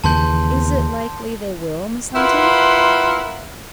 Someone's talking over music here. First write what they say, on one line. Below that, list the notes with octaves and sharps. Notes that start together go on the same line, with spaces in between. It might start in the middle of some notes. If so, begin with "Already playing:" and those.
"Is it likely they will, Miss Linton?"
D#2 C#3 E3 A5 C6 G6
E4 F4 A#4 B4 F#5 C6